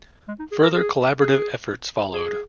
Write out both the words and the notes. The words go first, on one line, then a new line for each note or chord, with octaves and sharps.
Further collaborative efforts followed.
G#3
D#4
G#4
A#4
G#4
G#4
G#4